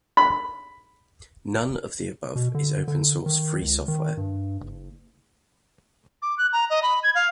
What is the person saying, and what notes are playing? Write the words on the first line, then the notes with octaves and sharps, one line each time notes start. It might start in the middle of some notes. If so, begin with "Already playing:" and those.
None of the above is open source free software.
B5
B2
D3
D3
D#3
C#2
D#3
G2
F#1
D6
F#6
A#5
D#5
B5
G#6
F5